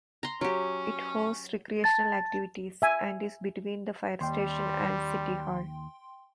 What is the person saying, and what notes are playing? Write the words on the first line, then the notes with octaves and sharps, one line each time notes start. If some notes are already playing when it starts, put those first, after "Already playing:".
It hosts recreational activities, and is between the fire station and city hall.
A#5 C6
F#3 C#4 G4
A5 A6
E5 G#5
D#2 G3 G5 C6